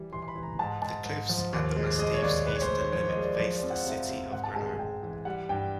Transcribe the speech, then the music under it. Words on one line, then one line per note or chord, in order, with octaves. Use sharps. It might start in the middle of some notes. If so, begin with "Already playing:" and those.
The cliffs at the massif's eastern limit face the city of Grenoble.
Already playing: E3 G3
E3 C6
C6
B5
E3
A#5
G#2 A5
G#2 A5
G#2
F3
D#2
G#3
G#3 D#5
C#5
D#2 D5
G#3 B4
C#5
C5
G#3
C#5
F3 C#5
D#5
G#3
D5
D5
F3 C#5
D5
F2
F#5
F5
C3 E5
F5
C3
G#2 F#5
A5
G#3 A5
G#5
G#3 G5
E3
G3 F#5
G2 G5